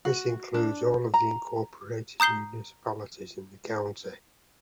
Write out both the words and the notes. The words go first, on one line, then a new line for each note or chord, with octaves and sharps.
This includes all of the incorporated municipalities in the county.
F#4
D4
A#5
A#5 D#6 G6 C7 G7